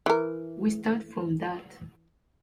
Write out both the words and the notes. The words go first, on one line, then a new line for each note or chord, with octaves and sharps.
We start from that.
E3 A#4